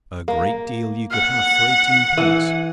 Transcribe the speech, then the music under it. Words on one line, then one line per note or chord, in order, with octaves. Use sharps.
A great deal you could have for eighteenpence!
A#3
F#5
E3